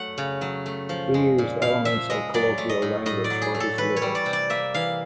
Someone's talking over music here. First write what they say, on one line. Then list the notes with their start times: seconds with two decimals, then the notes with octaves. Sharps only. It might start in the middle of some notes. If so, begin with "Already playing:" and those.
He used elements of colloquial language for his lyrics.
Already playing: F#3 A3 F#5
0.18 C#3
0.41 F#3
0.66 A3
0.89 F3
1.14 G#3
1.38 A#2
1.62 A#2 F5
1.85 F3 E5
2.10 G#3 D#5
2.34 F#3 D5
2.58 A3
2.69 D#5
2.82 A2
3.06 A2 D#5
3.24 D5
3.30 F#3
3.42 G#4
3.54 A3
3.60 A4
3.78 E3 B4
3.96 C#5
4.02 G3
4.15 D5
4.26 C3
4.33 D5
4.50 A#3 E5
4.74 E3 F5